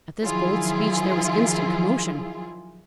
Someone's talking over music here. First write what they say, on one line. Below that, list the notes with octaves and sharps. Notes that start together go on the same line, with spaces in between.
At this bold speech there was instant commotion.
D#3 F3 F#3 E4 F4 G#4